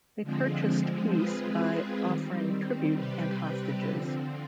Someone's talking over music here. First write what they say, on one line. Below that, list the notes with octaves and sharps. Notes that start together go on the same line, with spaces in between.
They purchased peace by offering tribute and hostages.
D3 F3 G#3 C4
G#3 C4 F4 G#4 B4
D#3 G3 C4
C3 G3 C4 G4 B4
D3 F3 C4